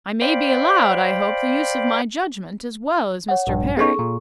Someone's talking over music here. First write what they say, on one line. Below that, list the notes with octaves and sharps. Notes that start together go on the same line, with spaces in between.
I may be allowed, I hope, the use of my judgment as well as Mr. Perry.
C5 D5 F5 G5 B5
C#5 F#5
A#1 G2
B3 C#4 D#4 G#4 A4 C#6
A#2